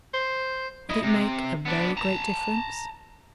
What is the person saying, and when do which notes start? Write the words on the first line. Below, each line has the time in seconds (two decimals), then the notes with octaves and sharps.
Would it make a very great difference?
0.14 C5
0.90 E4 D#5
1.03 C3
1.66 B3 D4
1.97 A5 A#5